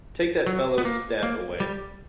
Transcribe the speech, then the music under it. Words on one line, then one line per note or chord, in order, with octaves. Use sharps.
Take that fellow’s staff away.
F#3
B3
A#3
A#3
G3